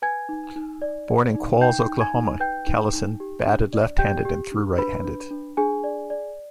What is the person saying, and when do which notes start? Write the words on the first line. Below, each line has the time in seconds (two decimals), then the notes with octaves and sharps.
Born in Qualls, Oklahoma, Callison batted left-handed and threw right-handed.
0.02 B4 G#5 G#6
0.29 D#4
0.56 D#4
0.82 D5
1.08 D5
1.35 D#4
1.61 D#4 G5 G6
1.88 D#4
2.01 G#5 G#6
2.14 D#4
2.40 B4 G5 G6
2.67 D#4
2.93 D#4
3.20 G4
3.47 D4
3.73 D5
3.98 G4 G5 G6
4.25 G4
4.52 D4
4.78 D4 B4 B5
5.05 D4
5.30 D4
5.57 D4 G#4 G#5
5.84 D5
6.10 D5